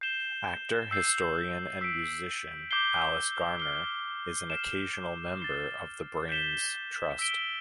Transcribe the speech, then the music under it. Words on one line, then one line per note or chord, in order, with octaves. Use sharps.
Actor, historian and musician Alice Garner is an occasional member of the Brains Trust.
G6 C7 E7 G7
E6 G6 C7
E6 B6 D7
D6 G6 C7 G7
F6 C7 G7
F6 C7 E7
A6 C7 G7
G6 B6 E7 G7
E6 B6 D7 G7